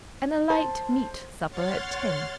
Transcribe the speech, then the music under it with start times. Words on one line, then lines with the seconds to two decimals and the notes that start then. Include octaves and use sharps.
And a light meat supper at ten.
0.50 C5 A5
1.50 C#5 F#5 C6 F6 A6